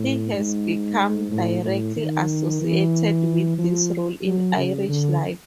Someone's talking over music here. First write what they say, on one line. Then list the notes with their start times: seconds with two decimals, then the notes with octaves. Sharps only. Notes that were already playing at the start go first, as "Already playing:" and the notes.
He has become directly associated with this role in Irish life.
Already playing: A2
0.33 G#2
1.31 A2
1.63 A2
1.97 D#3
2.62 E3
3.58 F3
4.23 F#3
4.56 C#3
4.89 D3